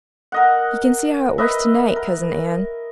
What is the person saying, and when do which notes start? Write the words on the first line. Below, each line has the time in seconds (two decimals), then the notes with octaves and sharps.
"You can see how it works to-night, Cousin Ann!"
0.32 A#4 D#5 F#5
1.38 A#4 B4 D#5 E5
1.96 A#4